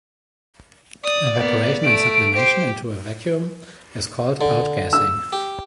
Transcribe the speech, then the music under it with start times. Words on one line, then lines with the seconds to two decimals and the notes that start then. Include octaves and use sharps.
Evaporation and sublimation into a vacuum is called outgassing.
1.04 D5 D#6
1.39 A#3 B3
1.84 A3 D7
2.35 G4 C5
4.41 D3
4.93 E6
5.33 G4